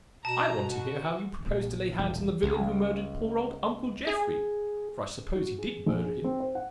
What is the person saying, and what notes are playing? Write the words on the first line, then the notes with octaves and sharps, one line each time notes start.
"I want to hear how you propose to lay hands on the villain who murdered poor old uncle Jeffrey--for I suppose he did murder him?"
B2 A5 A#5 E7
F#4
A#1 C#3
E1
C#2
G#4
F#4
G#4
A#1
G#4
C4
C5
F#5